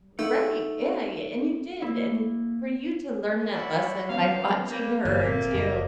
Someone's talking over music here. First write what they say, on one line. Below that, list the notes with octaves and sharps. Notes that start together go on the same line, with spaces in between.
R right. Yeah, y and you did, and for you to learn that lesson by watching her too,
A3 D#4 F#5
A#3 E4
E4 F#4 D5
C3 F#3 B3 C#4 F5
G3 A#3
G1 E3 A3 A#3 F4 C5
A#2 C4
F#1 F#4 D#5